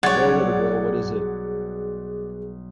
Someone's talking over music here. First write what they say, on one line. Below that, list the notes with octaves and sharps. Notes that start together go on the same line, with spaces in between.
Well, little girl, what is it?
B1 G3 G#4 C#5 D5 F#5 G#6